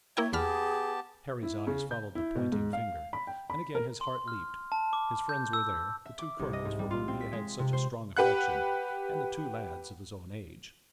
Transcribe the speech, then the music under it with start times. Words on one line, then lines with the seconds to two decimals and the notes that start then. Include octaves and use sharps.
Harry's eyes followed the pointing finger, and again his heart leaped. His friends were there, the two colonels for whom he had such a strong affection, and the two lads of his own age.
0.17 A#3 E4 C#5 E5 G5
0.33 E2 B3 G4 G#4 A5 B5 F6
1.43 E4
1.67 C#3
1.91 G6
2.15 E4
2.35 B2
2.52 G#2
2.73 F5
3.13 B5
3.27 G5
3.50 B5
3.75 A#4
4.01 C6
4.28 F6
4.72 A5
4.93 D6
5.29 G6
5.53 E6
6.06 E5
6.19 D6
6.39 C2
6.53 D#5
6.65 G#2
6.79 G3
6.91 F4
7.08 C4
7.21 B6
7.33 G#3
7.59 C3
7.73 C5
8.17 G4 B4 F#5 F#6